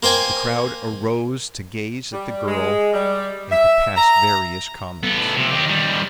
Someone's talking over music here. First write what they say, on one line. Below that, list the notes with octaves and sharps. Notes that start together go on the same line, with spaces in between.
The crowd arose to gaze at the girl and to pass various comments.
A#3 C5 G5 G#5
G3
G#3
G3
E5
A#5
B3 A4
C3 F3
D#3 G4
D#3 G3